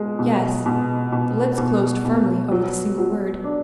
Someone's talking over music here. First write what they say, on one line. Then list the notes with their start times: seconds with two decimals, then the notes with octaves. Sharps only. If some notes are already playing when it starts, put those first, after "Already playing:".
"Yes." The lips closed firmly over the single word.
Already playing: B2 G#3
0.19 B2
0.66 B2
1.12 B2
1.58 B2
2.05 B2
2.51 F#3
2.98 F#3
3.44 D4